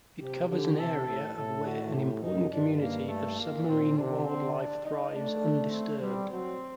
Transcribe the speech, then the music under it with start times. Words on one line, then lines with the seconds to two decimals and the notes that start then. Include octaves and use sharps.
It covers an area of where an important community of submarine wildlife thrives undisturbed.
0.20 C3 G4
0.49 D3 G4
0.78 C3 A4
1.08 A2
1.36 A2 A4
1.66 F#4
1.94 G4
2.23 F#2 D#4
2.53 G2 D4
2.81 A#3
3.10 A3
3.40 A#2 A#3
3.68 A#2 C4
3.97 C3 D4
4.27 D3 C4
4.56 D4
4.85 D#4
5.14 A3 D4
5.72 C4
6.01 G3 C4
6.30 F#3 C4